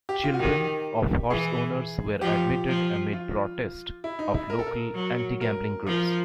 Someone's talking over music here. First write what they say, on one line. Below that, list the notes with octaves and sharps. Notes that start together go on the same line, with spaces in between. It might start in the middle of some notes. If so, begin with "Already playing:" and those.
Children of horse owners were admitted amid protest of local anti-gambling groups.
G4
F4
F#4
D#3 G4
E3 G#4
F3 G4
F3
F4
E4
D#4
E4
A#4
A4
A#4
F#3
A#4
F3 A#4